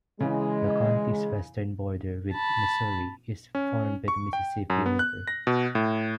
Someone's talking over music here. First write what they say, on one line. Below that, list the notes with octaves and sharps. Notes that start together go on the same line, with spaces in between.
The county's western border with Missouri is formed by the Mississippi River.
C#3 E3 G#3
A5 B5
C#4
C#6
G5
F#2
B3
F#6
A#6
B2
A2